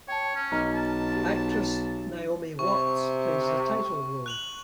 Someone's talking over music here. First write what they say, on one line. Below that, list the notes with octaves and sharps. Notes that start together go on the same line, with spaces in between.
Actress Naomi Watts plays the title role.
C#5 G5 A5
C#4
B1 D#5 A#5 F6
A5
G4
C3 C#6
F#6 F7 F#7